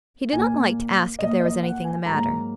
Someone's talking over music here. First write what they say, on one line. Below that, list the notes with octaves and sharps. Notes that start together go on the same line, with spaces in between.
He did not like to ask if there was anything the matter.
A#2 A#3 G#5
A#2 A#3 D#5
D#5
F#5
G#5
G#2 F#3 A#3 A#5